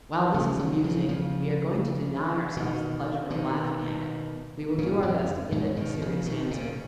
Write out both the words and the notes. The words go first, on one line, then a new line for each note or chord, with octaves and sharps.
While this is amusing, we are going to deny ourselves the pleasure of laughing at it; we will do our best to give it a serious answer.
C#3 F3
D#3 F#3
C#3 F3
C#3 F3
B2 D#3
B2 D#3
A#2 C#3
F2 G#2
G#2 B2
C#3
B2 D#3
C#3 F3
B2 D#3
A#2 C#3